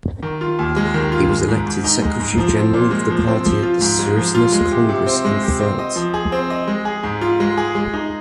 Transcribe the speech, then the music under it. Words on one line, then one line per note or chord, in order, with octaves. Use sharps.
He was elected Secretary General of the Party at the Suresnes Congress, in France.
D#3
F4
D#2
G#3
D#3
F4
G#3
G#2
G#2
D#4
G#3
G#2
F3
C4
A#2
G#3
F3
C4
F3
F4
G#2
G#3
F3
F4
G#3
C3
C3
C4
G#3
C3
C4
D#5
F3
G#4
C4
D#5
G#3
G#4
G#2
F4
G#3
G#4
G#3
D#4